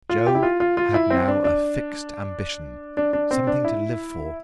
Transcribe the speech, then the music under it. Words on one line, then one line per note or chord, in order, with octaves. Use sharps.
Joe had now a fixed ambition--something to live for.
F4
G4
E4
F4
F4
F4
E4
C4
D4
D4
D4
D4
C4
D4
E4